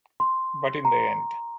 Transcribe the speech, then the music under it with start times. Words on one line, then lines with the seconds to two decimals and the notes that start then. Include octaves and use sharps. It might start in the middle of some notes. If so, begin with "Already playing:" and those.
But in the end.
0.20 C6
0.85 A#5